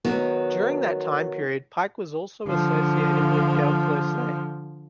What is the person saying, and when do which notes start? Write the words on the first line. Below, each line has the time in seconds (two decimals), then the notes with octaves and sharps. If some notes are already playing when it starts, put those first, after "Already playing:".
During that time period, Pyke was also associated with Del Close.
0.05 D#3 F#3 B3
2.48 D3 F3